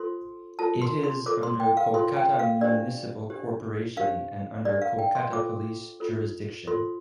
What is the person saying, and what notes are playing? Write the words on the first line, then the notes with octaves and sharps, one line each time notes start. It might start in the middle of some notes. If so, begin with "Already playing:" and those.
It is under Kolkata Municipal Corporation and under Kolkata Police Jurisdiction.
Already playing: F4 A4 C5 C6
F4 A4 C5 A5
C6
C6
F4 A4 C5 D6
C6
G5
F5
F4 A4 C5 C6
G5
F5
D4 G4 C5 D5
D4 G4 C5
D4 G4 C5 F5
D4 G4 C5 D5
F5
G5
C6
F4 A4 C5 D6
F4 A4 C5
F4 A4 C5 C6